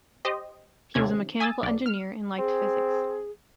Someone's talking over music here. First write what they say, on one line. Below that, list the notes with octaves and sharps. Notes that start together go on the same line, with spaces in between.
He was a mechanical engineer and liked physics.
G4 C5 D#5
D#2 C3 C#4 G#6
G#5 D#6 E6 A6
B1 D5
F6
C4 G#4